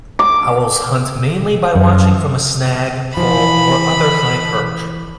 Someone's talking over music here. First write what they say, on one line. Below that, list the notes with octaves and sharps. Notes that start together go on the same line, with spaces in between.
Owls hunt mainly by watching from a snag, pole or other high perch.
D6
F#2
E3 F3 B5